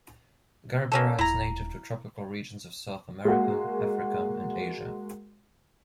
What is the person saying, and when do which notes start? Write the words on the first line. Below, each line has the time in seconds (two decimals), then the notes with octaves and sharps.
"Gerbera" is native to tropical regions of South America, Africa and Asia.
0.92 A#3 C#4 A4
1.19 D#1 E4 A#5
3.25 G#3 A#3 F#4